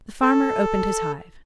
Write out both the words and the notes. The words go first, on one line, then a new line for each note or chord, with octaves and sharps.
The farmer opened his hive.
A4